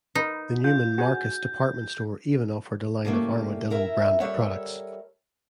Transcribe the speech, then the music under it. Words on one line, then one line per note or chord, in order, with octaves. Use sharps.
The Neiman Marcus department store even offered a line of Armadillo-branded products.
D#4 A#4 B4
F4 G6
F#4 G#4 G#5
A2 C#3 G3 A3 A#3
E4 A#4 E5
G3 A4 A#4 C#5 E5 F#5